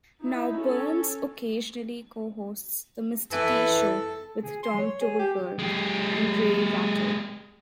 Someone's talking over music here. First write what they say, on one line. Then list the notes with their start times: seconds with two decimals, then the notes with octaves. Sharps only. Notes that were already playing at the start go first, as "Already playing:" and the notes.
Now Byrnes occasionally co-hosts the Mr. T. show with Tom Tolbert, and Ray Ratto.
0.21 D#4 E4
0.57 C#4 A4
3.32 E3 A4
4.44 G#4
4.63 C6
4.78 C#5
5.01 G#4
5.19 G4
5.59 G#3 G4